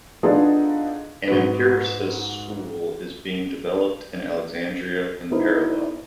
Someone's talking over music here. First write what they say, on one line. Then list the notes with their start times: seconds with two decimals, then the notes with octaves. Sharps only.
An empiricist school is being developed in Alexandria in parallel.
0.23 B3 D4 D#4 F4 G#4 A4
1.27 G#2 F#4 B4
5.31 B3 D#4 E4 C5